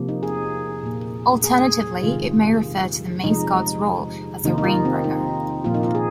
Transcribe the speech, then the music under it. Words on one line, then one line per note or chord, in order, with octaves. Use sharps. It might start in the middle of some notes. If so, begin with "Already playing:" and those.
Alternatively, it may refer to the maize god's role as a rain bringer.
Already playing: C3 F3 A#3
D#4
G#4
A#2 A#3
G#4
C3 D#3 G#3 F4
C3 F3 G#3 D#4
C3 D#3 A#3 D#4
D#4
F4
C4
D#4
A#2 F3 A#3 F4
D#4
F4
G#4